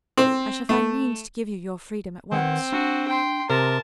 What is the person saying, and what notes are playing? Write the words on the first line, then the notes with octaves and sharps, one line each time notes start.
"I shall find means to give you your freedom at once."
C4
A3
D#3 C4 B4 F#5
D4 F#4
G5 C6
C3 A#4 A5